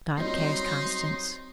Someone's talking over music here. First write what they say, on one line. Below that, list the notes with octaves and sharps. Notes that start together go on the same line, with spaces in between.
"God cares, Constance."
F#3 G3 C4 C#4 D#4 D#5 C6